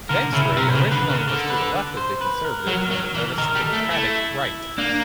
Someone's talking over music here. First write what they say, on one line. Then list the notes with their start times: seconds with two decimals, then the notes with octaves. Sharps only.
Venstre originally was to the left of the conservative and aristocratic right.
0.09 D3 A#4
0.33 C#3 E4
0.57 C3 A#4
0.69 C5
0.75 C#3 B4
0.91 D3 B4
1.09 C#3 A#4
1.27 D3
1.50 B4
1.97 C5
2.21 B4
2.44 A#4
2.67 F#3
2.91 F#3
3.15 E3
3.31 A4
3.38 D#3 A#4
3.55 G3
3.61 A4
3.73 A3
3.84 E4
3.91 A3
4.78 A#3 D4